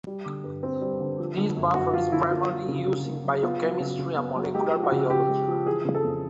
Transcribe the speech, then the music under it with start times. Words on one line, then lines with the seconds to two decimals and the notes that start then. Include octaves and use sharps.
This buffer is primarily used in biochemistry and molecular biology.
0.07 G3
0.26 D3
0.44 G2
0.63 C4
0.81 G3
1.01 D3
1.19 F3
1.37 D3
1.56 F#2
1.75 F#2 F#4
1.93 F3 F4
2.12 D3 E4
2.31 A#3 F4
2.49 F#3
2.69 C#3
2.87 C#3
3.05 A#3
3.24 F#3
3.43 B3 F4
3.62 F#3
3.80 C#3
3.99 C#3
4.17 B3
4.36 F#3
4.55 G#3 G4
4.73 F3
4.83 F#4
4.92 C#3
5.10 C#3 G4
5.29 G#3
5.48 F3
5.67 E3 G#4
5.85 C#3
5.94 A4
6.04 F2